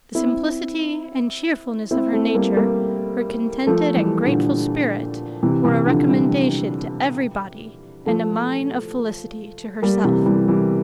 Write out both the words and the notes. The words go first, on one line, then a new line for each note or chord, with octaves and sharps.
The simplicity and cheerfulness of her nature, her contented and grateful spirit, were a recommendation to every body, and a mine of felicity to herself.
C4 E4
C4 E4
A3 C4
G3 A#3
G3 A#3
F3 A3
E3 G3
A#2 D3
C3 E3
C3 E3
D3 F3
E3 G3
F3 A3
G3 A#3
C3 E3
E3 G3
E3 G3